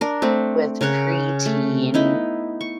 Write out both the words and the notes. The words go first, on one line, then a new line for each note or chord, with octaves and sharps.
with preteen
D4 A#4
A3 C4
C#3 A#4 C#5 F#5
A3
B3 D#4 E4
C#6